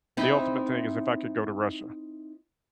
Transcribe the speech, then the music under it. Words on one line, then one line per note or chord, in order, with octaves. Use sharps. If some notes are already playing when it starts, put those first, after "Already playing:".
the ultimate thing is if I could go to Russia.
C4 D#4 E4